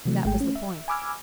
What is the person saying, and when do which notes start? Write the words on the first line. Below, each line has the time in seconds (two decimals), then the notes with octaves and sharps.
That was the point.
0.05 C3 E3 F#3 G3 A3
0.25 G#1 G#3 A3 G#4 G5
0.40 A3 C#4
0.55 E5
0.88 G#5 B5 D6 E6 F6 G#6